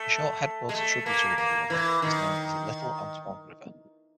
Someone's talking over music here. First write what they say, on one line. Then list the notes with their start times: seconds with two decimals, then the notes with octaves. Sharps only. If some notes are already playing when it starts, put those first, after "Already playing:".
A short headwater tributary of the river is known as the Little Antoine River.
Already playing: A3
0.69 G#3
0.74 A3
1.06 A#3
1.38 A#3
1.70 E3
2.02 D#3